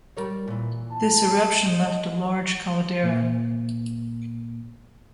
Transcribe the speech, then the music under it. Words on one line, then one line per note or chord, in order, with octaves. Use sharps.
This eruption left a large caldera.
G3 A#4 C#5
A#2 E3
A5
D#4
A#2 A#3